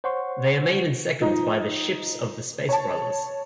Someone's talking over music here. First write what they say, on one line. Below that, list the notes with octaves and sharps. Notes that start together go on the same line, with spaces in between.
They are made in seconds by the 'ships' of the Space Brothers.
C5 C#5 F#5 C6 C#6
F3 D#4
C#5 A5